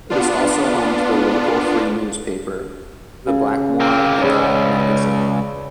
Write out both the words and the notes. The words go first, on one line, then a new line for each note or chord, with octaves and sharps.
It is also home to the local free newspaper, the Blackmore Vale Magazine.
B3 D4 F4
C#3
A#3 C4
C#2 G2 B4 C#5 D5